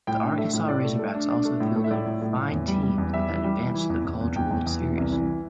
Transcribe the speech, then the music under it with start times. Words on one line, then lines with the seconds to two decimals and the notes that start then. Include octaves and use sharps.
The Arkansas Razorbacks also fielded fine teams that advanced to the College World Series.
0.07 A2 G5
0.23 D4
0.38 A3 E5
0.53 A2
0.69 A2 D5
0.84 A3
0.99 A3
1.15 D4
1.30 D4
1.45 A3
1.60 A2
1.76 A3
1.84 E5
1.91 A2 D5
2.06 A2
2.22 A2
2.37 A2
2.52 E2
2.68 G3
2.83 G3
2.98 E2
3.13 G3 E5
3.29 E3
3.44 G3
3.59 E3
3.75 E3
3.90 E2
4.05 E2
4.21 E2
4.36 E2 G5
4.51 E2
4.66 E2
4.82 E3
4.97 C2
5.12 E3